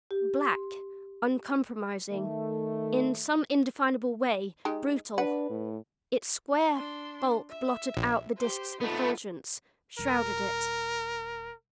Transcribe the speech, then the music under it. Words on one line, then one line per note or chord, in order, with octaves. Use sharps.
Black, uncompromising, in some indefinable way BRUTAL, its square bulk blotted out the Disk's effulgence; shrouded it.
G4
C6
D#3 A3
G#3 D#4 G4
D4 B4 F#5
A2
D4 C6
E5
A#1
G4 C5
A3 B3 D#4 F4
D#1 A#4